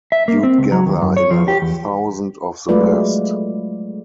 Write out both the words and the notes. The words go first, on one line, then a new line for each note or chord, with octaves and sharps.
You'd gather in a thousand of the best.
E5
A#3
C4
C#2
F#3
D#2
F#2
C#5
F3
G4
E2
F#3 G#3 A3 F4 B4 D5